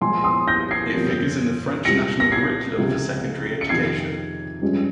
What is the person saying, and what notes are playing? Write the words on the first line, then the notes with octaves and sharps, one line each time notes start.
It figures in the French national curriculum for secondary education.
A#1 A#2 G#3 G#5 C6
C6 D#6
G6 A#6
G#6 C7
G1 F2 C3 F3 A#3
C2 A#2 G#3 A#6 C#7
A#6
G#6 C7
C#2 C3 F3
C#7
F2 C3 D#3 G#6 C7
G2 F3 G#3 C#4